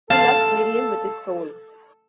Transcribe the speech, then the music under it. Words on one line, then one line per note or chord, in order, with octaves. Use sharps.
He loved Miriam with his soul.
A4 F5 A5